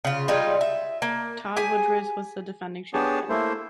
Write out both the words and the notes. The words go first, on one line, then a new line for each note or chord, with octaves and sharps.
Todd Woodbridge was the defending champion.
C#3 F4
G3 G#3 D#4 F4
E5
A#3
G4 G#4 G#5
B3 D4 G4 G#4 C#5 A5
A3 A#3 E4 C5